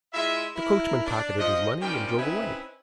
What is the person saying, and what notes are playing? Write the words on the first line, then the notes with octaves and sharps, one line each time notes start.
The coachman pocketed his money and drove away.
G#3 E4 F4 E5
E4 A#4
D4
F3 D#5
C3 D#3 F3 G3 C#4 G5
C4 C#4 D#4 E4 B4 E5